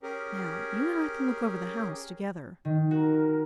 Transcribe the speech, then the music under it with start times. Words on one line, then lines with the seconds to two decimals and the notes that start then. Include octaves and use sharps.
"Now, you and I can look over the house together."
0.03 C#4 G4 G#4 A#4
2.65 D#3
2.91 F#4 A#4